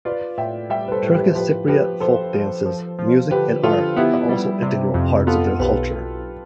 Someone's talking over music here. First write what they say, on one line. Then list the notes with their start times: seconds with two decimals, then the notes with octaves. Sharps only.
Turkish Cypriot folk dances, music, and art are also integral parts of their culture.
0.05 F4 B4 D5
0.38 A2 E5 G5
0.70 G3 E5 G5
0.88 B4
0.92 A4 C5
1.03 A2
1.14 G4 B4
1.35 F3 G4 B4
1.68 F3 G4 B4
2.00 F3 A4 C5
2.34 F3
2.66 F3
2.99 F3
3.31 D3 G4 B4
3.63 F3 F4 A4
3.97 B3 E4 G4
4.29 G3
4.63 C3
4.94 F2
5.27 B3 F4 A4
5.59 B1 G4 B4
5.92 B1